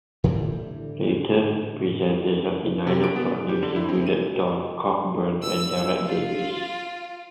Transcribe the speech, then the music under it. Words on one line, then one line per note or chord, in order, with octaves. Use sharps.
Later presenters of the "Nine O'Clock News" included Don Cockburn and Derek Davis.
A2 D3 E3 G3
C3
D7
B3
G3
G4
D3
E4
C4
D#7
E6
F4